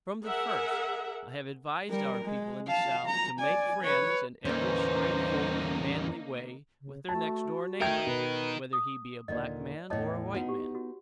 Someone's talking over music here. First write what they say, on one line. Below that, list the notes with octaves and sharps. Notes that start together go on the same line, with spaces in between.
From the first, I have advised our people in the South to make friends in every straightforward, manly way with their next-door neighbour, whether he be a black man or a white man.
G#4 A#4 E5 F#5
G3 A#4
G#3
F5 A5
A#5
D5 G#5
B4 C#5
E2 D3 E3 A#3 C4 C#4 D#4 C5
C#3
A3 F#4 A5
A3 D#4 A#4 E5 G5 G#6
B2 B4
D#6
D#2 A#2 D3 D5 D#5
E2 A2 C#5 D#5 A5
B3 D#4 F#4 F#5
G4
F#4